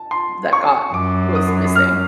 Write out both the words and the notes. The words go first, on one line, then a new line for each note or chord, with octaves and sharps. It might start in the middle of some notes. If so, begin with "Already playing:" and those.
that got was missing,
Already playing: A5
C6
C#6
F#2 D6
D#6
F6